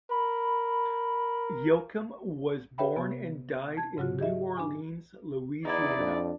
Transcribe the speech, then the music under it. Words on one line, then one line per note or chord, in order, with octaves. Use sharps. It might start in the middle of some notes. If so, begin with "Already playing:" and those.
Yochim was born and died in New Orleans, Louisiana.
A#4 B5
G4 B4 C#5 E5 G5 B5
C3 B3
A5 G#6
G#2 C#3 F#3 F4 F#4
G4 G#4 D#5 E5
D4 G#5
E2 D#4 E4 D5
F2 D4